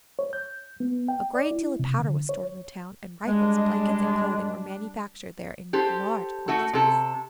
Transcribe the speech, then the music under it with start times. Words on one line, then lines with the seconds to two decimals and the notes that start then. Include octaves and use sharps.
A great deal of powder was stored in the town, and rifles, blankets, and clothing were manufactured there in large quantities.
0.19 C#5
0.33 G6
0.80 B3
1.08 G5
1.35 D5
1.51 E4
1.79 C3
1.99 D3
2.29 C#5
3.27 G3 G#3 D4
5.73 G4 A4 C5
6.48 A3 F#4 A4
6.73 C3 A4